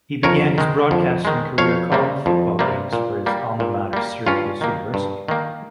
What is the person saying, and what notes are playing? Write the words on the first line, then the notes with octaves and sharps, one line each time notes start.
He began his broadcasting career calling football games for his alma mater Syracuse University.
F2 A#4 C#5
D#3 G#3
F2
D#3 G#3
F2 C#5 F5
C3 G3 A#3
F2
C3 G3 A#3
A#2
G3 A#3
A#2
G3 A#3
G2 C#4 F4
D#3 A#3
G2
D#3 A#3